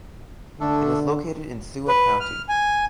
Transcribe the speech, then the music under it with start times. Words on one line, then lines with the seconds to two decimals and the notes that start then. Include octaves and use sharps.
It is located in Sua County.
0.60 D3 A3 D4 A4
1.88 B4
2.20 F6
2.49 G#5